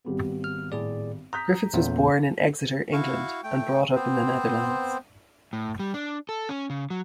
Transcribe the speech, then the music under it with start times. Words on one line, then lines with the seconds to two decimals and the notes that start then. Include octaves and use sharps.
Griffiths was born in Exeter, England, and brought up in the Netherlands.
0.05 G#1 G3 B3
0.44 F6
0.72 A2 G#4 D5
1.33 A#5 D#6 G6 B6
1.74 E2 A#2 A3 B3 C#4
2.93 E4 F#4 F5 C#6
3.44 A3 G5
3.95 B3 C4 C5
5.53 A2
5.79 G3
5.94 D4
6.29 A4
6.49 C#4
6.70 C#3
6.90 F#3